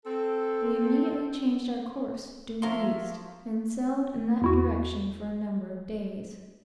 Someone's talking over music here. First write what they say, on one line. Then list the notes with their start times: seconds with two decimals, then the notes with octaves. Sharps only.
We immediately changed our course due east, and sailed in that direction for a number of days.
0.05 C4 A4
2.62 F3 F4 A#4 C#5 E5 C6
4.42 E2 E4 F#4